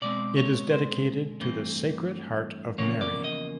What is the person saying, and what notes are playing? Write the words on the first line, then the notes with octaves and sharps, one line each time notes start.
It is dedicated to the Sacred Heart of Mary.
B2 G#3 C4 D5
C#5
C5
G2 E3 A3 C4
E2 C#3 F3 A#3 C#5
D5
D#5